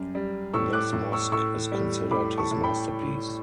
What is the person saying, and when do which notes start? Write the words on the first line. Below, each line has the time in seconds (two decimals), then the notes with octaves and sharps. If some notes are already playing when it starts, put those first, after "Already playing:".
This mosque is considered his masterpiece.
Already playing: F#2 G3
0.15 G3
0.54 A2 C#6 E6
0.73 D6 F#6
0.93 A2
1.12 C#6 E6
1.32 A2 C#6 E6
1.72 G3
2.11 A2 B5 D6
2.38 A5 C#6
2.51 A2
2.64 G5 B5